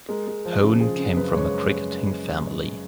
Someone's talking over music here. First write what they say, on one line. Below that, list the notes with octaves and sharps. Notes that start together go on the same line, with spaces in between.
Hone came from a cricketing family.
G#3 A#4
G#3
F3
C#3
F3 G#4
C#3
F#2 B4
G#3 C#5